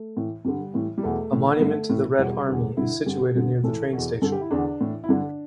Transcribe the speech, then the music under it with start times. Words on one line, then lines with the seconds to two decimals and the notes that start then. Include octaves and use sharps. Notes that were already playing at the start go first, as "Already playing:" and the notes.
A monument to the Red Army is situated near the train station.
Already playing: A3
0.17 A2 E3
0.45 G2 D3 G3
0.74 A2 E3
0.98 G3
1.03 E2 B2 A3
1.32 A2 E3
1.56 B3
1.61 G2 D3 A3
1.90 A2 E3
2.19 E2 B2 G3
2.49 E2 D3
2.77 G2 D3 E4
3.06 G2 D3 G4
3.35 G2 D3
3.64 A2 E3 A4
3.93 E2 B2
4.22 G2 D3 A4
4.32 G4
4.41 E4
4.51 E2 D3 D4
4.81 A2 E3
5.04 E4
5.09 G2 D3 D4